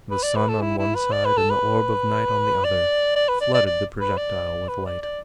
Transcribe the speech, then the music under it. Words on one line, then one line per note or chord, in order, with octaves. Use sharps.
The sun on one side, and the orb of night on the other, flooded the projectile with light.
B4
D5
B4
A4
E4
E4
B4
D5
B4
A4
B4
D5
D5
B4
D5
D5
D5
B4
D5
B4
D5
D5